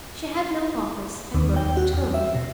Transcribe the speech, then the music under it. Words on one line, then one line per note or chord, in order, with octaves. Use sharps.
She had no office, and worked at home.
D#2
G5
F#4
E2
E5
B2